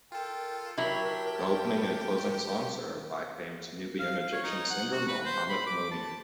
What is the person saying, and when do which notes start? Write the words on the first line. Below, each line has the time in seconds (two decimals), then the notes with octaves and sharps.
The opening and closing songs are by famed Nubian-Egyptian singer Mohammed Mounir.
0.12 F4 A4 A#4 G5
0.78 F#3 E4 G4 G5 A5
3.99 F5
4.19 F5
4.32 C#5
4.44 D#4
4.70 F#5
4.92 F#4
5.08 B4
5.25 C5
5.49 B5
5.66 D6
5.91 A5